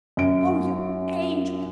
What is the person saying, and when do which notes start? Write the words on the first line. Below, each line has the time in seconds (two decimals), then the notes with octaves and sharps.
Oh, you angel!
0.17 F#2 D7